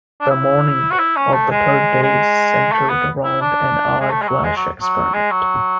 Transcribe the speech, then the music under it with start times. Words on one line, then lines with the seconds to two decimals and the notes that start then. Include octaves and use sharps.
The "morning" of the third day centered around an "eye flash" experiment.
0.21 D4
0.30 E4
0.90 F#4
0.99 E4
1.17 C#4
1.33 A3
1.50 G#3
2.02 G#3
2.72 A3
2.89 B3
3.24 E4
3.41 D4
4.00 G#3
4.11 A3
4.22 G#3
4.28 F#3
4.44 G#3
4.56 F#3
4.81 F#3
5.14 G#3
5.31 F#3